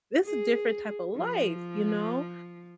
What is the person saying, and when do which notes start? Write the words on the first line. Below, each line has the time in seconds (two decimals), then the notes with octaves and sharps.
this is different type of life, you know."
0.24 G#4
1.16 F3